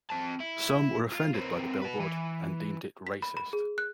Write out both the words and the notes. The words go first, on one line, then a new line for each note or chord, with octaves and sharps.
Some were offended by the billboard and deemed it racist.
C4 A5
E4
F4
A#3 C4
F#4 B4
E3
B6
B5
B5
G#4
F#6